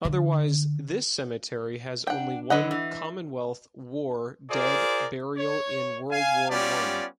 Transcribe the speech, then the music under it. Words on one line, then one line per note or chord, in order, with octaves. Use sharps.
Otherwise, this cemetery has only one Commonwealth War Dead burial in World War One.
D3
D4 F#5 G5
D3 F#3 B4 D#5 F#5
E3
F4 G#4 A#4 C5 D5
C#5
F5 G#5
G3 B3 C#4 F4 G4 D5